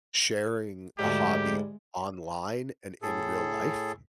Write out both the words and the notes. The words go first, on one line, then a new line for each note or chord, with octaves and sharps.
sharing a hobby online and in real life?
D2 G#2 G3 G#3 G4
A2 G#4 A4